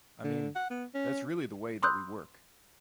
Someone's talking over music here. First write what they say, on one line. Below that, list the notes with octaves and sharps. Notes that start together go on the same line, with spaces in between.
I mean, that's really the way that we work.
D3
F#5
B3
C#4
B5 C6 D#6 E6 F#6 G6